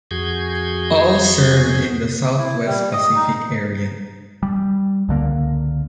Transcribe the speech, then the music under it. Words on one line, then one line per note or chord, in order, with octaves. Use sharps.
All served in the Southwest Pacific Area.
F2 F#4 G#4 G6 G#6
E4
G3
D#5
D#4
G3
C#2 D3 A#3